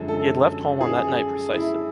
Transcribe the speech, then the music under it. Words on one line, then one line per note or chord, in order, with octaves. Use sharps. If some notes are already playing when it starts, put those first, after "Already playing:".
He had left home on that night precisely.
Already playing: F#2 D3 F3 G#3
A4
G#4
E4